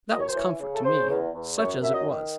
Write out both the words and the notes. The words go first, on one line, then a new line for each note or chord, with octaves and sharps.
That was comfort to me, such as it was.
F#2 D#5
C#5
C5
E3 C#5
C#3
A4
C#3 C5
E2
E2
F#2 C#5
F#2 E5
D#5
D#3